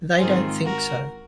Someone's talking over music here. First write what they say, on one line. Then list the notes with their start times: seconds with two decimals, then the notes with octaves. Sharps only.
They don't think so.
0.18 G#2 D#3 G#3 C4 F4 G#4 C5
0.64 F#4 A#4